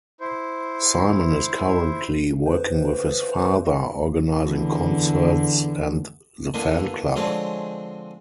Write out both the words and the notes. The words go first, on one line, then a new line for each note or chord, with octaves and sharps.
Simon is currently working with his father, organising concerts and the fan club.
E4 C5
B4 C5
E2 D3
D3 E3 A#3 B3 D4
D3 F3 G#3 C4 D4 C#5